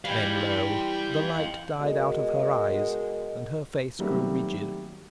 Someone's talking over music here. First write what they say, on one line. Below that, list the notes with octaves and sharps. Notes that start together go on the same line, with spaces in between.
Then lo! the light died out of her eyes, and her face grew rigid.
E3 G3 F5 G5
B2 G#3 F#4 A#4 D#5
D#3 F#3 G3 A3 A#3 C4